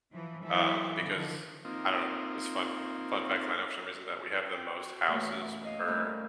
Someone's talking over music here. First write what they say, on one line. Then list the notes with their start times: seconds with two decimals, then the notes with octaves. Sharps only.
um, because I don't it's fun fun fact that I know for some reason that we have the most houses per,
0.12 E3 F3
0.44 E3 F#3 E4 A4 C5
1.05 D3 D#3 F3
1.65 A#3 C4 D#4 F4
4.52 C5 G5
4.80 F#4
5.06 F#2 B2 E3 A3 A#3 C#4
5.64 D#5 F5
5.87 D#2 G3 A3 C#4 A#4 B5